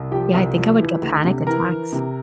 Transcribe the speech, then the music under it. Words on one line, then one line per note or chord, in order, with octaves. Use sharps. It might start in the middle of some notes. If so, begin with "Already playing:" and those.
yeah, I think I would get panic attacks.
Already playing: C2
F3 G4 G5
C2
F3
E3
D2
C3
E3 A#4 A#5
E3
C3